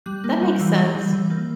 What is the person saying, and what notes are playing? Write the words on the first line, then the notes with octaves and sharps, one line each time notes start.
That makes sense.
G3 F#6
A#3
G3
E3 G6
G3
E3
E3
A#3